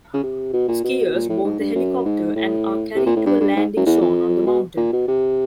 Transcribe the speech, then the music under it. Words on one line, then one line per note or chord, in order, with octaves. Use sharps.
Skiers board the helicopter and are carried to a landing zone on the mountain.
C#3
C3
B2
A#2
B2
A#2
A2
G#2
G2
F#2
G#2
A2
C3
A#2
A2
G2
G2
G#2
F#2
E2
F2
B2
A#2
B2
C3